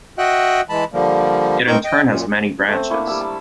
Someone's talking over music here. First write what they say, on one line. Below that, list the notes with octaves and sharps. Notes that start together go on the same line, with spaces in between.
It in turn has many branches.
F#4 D#5 E5 F#5 G5 F#6
E3 G#3 A5 B5
D3 F3 G3 A#3
G2 C4 D#4 A#4 C#6 G6
D#5 G5
F#2 A#2
A3 C4
A#3 D4 E4 C#6
G3 A3 E6
A5